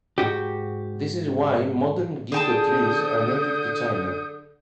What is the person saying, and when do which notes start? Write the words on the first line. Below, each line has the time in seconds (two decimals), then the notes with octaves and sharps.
This is why modern "Ginkgo" trees are native to China.
0.18 G#2 F#4 G4
2.32 D3 G#4 G5 A5 D#6 G6